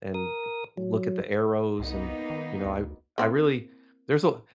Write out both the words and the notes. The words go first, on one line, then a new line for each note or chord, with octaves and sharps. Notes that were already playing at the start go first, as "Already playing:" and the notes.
and d look at the arrows, and, you know, I I really there's a
A#4 D#6
F#3
C2 A#3 B3 D#4
D#3
D2
A#3 C4 E4